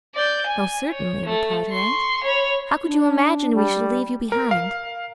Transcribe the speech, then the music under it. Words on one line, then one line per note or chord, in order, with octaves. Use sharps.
'Most certainly,' replied her aunt, 'how could you imagine we should leave you behind?
D5 G6
G#5
C#5
A3
C6 C#6
C#5 B5
D4
G3
A#4
F5